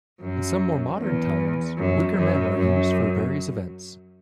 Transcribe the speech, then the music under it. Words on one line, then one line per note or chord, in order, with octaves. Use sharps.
In some more modern times, wicker men are used for various events.
F#2
E2
F#2
F#2
F#2